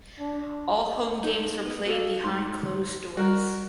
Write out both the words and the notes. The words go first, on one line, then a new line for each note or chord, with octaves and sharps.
All home games were played behind closed doors.
D4
D#4 A4 C#5
B3
F#4 A4 C#5 D5 F5
G#2 C6
G3 F#4 A#4